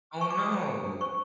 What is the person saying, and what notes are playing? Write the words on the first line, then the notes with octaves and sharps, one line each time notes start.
Oh, no.
C#6
D6
G4 D#6
C5
G4
D4
C5 C#6